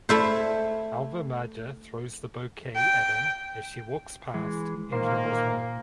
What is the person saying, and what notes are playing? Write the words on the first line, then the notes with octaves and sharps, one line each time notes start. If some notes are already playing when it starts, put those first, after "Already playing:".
Elva Marja throws the bouquet at him as she walks past and travels home.
A3 E4 C5
G5
E3 G#3
A#2 D#3 A#3 C5